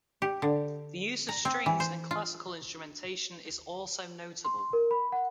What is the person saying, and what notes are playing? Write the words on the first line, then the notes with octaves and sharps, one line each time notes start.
The use of strings and classical instrumentation is also notable.
G4
D3
A#5
C4
E3
C5
F4
C6
C6
A#4
B5
F#5